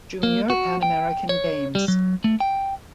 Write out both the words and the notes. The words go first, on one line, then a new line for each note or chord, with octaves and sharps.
Junior Pan American Games.
A#3
F#4
G5
C#5
G3
F#3
A3
G5